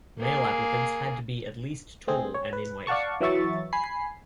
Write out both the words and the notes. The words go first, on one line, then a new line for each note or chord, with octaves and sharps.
Male applicants had to be at least tall and in weight.
A#3 G#4
A3 C4 G#4
C#5
B4
D5 F5 F#5 A5 C#6
E3 F#3 E5 C#6 A6
G#5 B5 C7